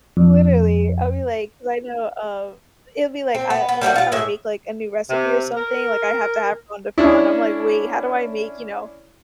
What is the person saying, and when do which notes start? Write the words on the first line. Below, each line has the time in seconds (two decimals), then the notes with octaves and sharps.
Literally. I'll be like 'cause I know, um, it'll be, like, I when I'm trying to make, like, a new recipe or something, like, I have to have her on the phone, I'm like, "Wait, how do I make, you know,
0.17 F2
3.35 C4
3.50 B3
3.69 B3
3.81 G3 A3 D4 F#4
3.96 F4 F5
4.12 A2 G#3 E5
5.10 C3
5.57 A#4
6.98 C#4 D4 E4